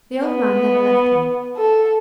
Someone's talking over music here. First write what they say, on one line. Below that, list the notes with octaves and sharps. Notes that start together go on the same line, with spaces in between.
The old man never left me.
B3
A4